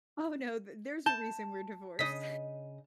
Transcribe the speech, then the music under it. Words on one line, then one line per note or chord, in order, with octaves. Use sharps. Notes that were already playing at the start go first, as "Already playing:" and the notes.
Oh, no, th there's a reason we're divorced.
A5 G6
C#3 D#5 B6